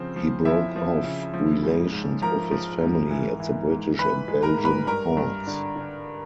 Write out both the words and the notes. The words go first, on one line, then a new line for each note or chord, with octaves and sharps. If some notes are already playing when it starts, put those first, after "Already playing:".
He broke off relations with his family at the British and Belgian courts.
Already playing: C#3 F3 C4 C5
F3
F3 E4 E5
F3
C#3
F3
G#2
G#2
F3 A#4 A#5
F3
G#2
E3
E3
G#2
E3 B4 B5
G#3
A#4 A#5
G#2
B4 B5
G2 A#4 A#5
G2
D3
D3